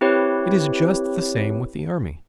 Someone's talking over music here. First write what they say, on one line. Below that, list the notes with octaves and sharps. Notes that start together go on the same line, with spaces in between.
It is just the same with the army.
C4 E4 G4 B4 C#5